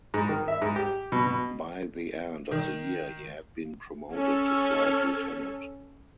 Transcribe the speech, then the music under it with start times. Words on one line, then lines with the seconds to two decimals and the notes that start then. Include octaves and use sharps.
By the end of the year he had been promoted to flight lieutenant.
0.14 G#2
0.29 D#3
0.48 E5
0.62 G#2
0.76 G4
1.12 B2
1.26 B2
2.51 D#3
4.12 C#4 A4